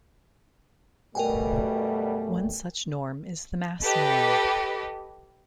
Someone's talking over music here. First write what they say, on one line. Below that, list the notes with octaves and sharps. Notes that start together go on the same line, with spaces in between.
One such norm is the "mass norm".
F#2 B2 G3 A3 A#4 G5 G#5
G4 A4 B4 D#5